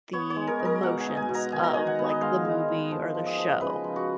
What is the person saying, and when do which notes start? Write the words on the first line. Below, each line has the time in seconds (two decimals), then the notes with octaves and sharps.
the emotions of, like, the movie or the show.
0.13 B3 C#5
0.30 C#5
0.36 G#3
0.47 A#4
0.59 D#4
0.65 A#4
0.83 B2 F#5
1.00 G#5
1.06 D#4
1.17 G#5
1.29 B2
1.35 A#5
1.52 D#3 G#5
1.63 A#5
1.74 D#3 G#5
1.87 F#5
1.99 B3
2.10 D#5
2.22 G#3 F5
2.45 G#3
2.68 D#4
2.91 F3
3.14 F3
3.26 D#5
3.38 F3
3.61 C#3 B4
3.84 F3
3.96 F#4